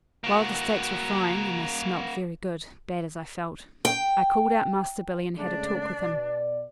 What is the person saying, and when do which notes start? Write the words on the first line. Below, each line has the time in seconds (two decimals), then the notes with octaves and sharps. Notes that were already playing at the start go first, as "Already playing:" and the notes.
While the steaks were frying--and they smelt very good, bad as I felt--I called out Master Billy and had a talk with him.
0.24 A#3 F#4
3.85 G5
5.36 C#3 G#3 A3 D4
5.98 B2 D5